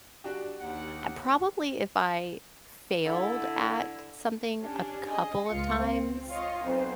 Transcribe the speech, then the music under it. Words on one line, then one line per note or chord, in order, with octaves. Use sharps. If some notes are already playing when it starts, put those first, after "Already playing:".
I probably, if I failed at something a couple of times,
D4 F#4 G4
D#2 F#5
D3 E4
C#4 D4 G4
G#4 D#5
C#2 F4 C#7
C4
F4 C#5 D#5
B1 F2 C5